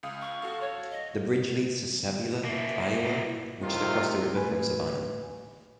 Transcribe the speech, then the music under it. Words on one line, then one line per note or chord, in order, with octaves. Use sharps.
The bridge leads to Sabula, Iowa, which is across the river from Savanna.
C#2 F5 D#6
C#6
F#4 A4 F5
C#5
D#5
A#3 E4
A2 C3 D#3 F4
A2 B4 G#5